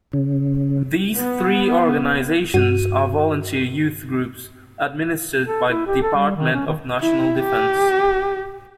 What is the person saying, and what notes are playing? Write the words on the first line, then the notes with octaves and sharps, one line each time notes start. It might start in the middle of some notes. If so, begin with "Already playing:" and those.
These three organizations are volunteer youth groups administered by the Department of National Defence.
C#3
B3
G2 F#4 D#7
A4
E4
G4
A4
G3
D#3
C#4
D#3
E4
G4